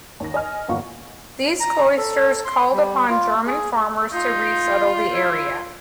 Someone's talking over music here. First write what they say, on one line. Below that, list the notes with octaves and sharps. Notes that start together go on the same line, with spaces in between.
These cloisters called upon German farmers to resettle the area.
D#2 A#6
D#5 G#5 F6
G1 E2 A#3 F4 F#5 C#6
A#5
A4
C6
G3
F4
G#4
D#4 F4
E4